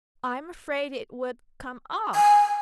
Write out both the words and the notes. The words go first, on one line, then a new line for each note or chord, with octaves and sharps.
I'm afraid it would come off!'
G#5